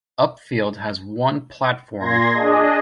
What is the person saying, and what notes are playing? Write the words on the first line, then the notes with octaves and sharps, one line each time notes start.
Upfield has one platform.
A#2 C6 G#6 A#6
D4 G#4 D#5